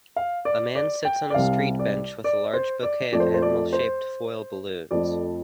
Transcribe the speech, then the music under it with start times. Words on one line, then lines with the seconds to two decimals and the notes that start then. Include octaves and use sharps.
A man sits on a street bench with a large bouquet of animalshaped foil balloons.
0.16 F5
0.45 D5
0.75 D5
1.05 G5
1.30 D5
1.34 C2 C3 G3 F5
1.79 D5
2.24 D5
2.53 C5
2.83 D5
3.12 F2 F3 A3 D5
3.20 C5
3.34 C5
3.42 D5
3.73 C5
4.91 F2 F3 A3 D5